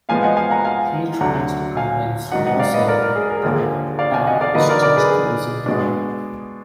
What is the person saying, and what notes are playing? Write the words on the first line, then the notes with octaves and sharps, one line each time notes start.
He tries to convince Rosalee that Tad is just using her.
A#2 F3 G#3 B3 F5 G#5
D#5 F#5
F5 G#5
F#5 A#5
F5 G#5
D2 D3 F#3 D4 F#5 A#5
F5 G#5
G#2 D#3 F#3 D4 D#5 F#5
D#5 F#5
D5 F5
B4 D#5
A#4 D5
A#4
G#4
A#4
G#4
D#2 D3 F3 A#3
G#4
D5 F5
F5 G#5
D#5 F#5
D5 F5
D3 F#3 A#3 D#4 B4 D#5
A#4 D5
A#4 D5
G#4 B4
G#4
B2 G#3 B3 D4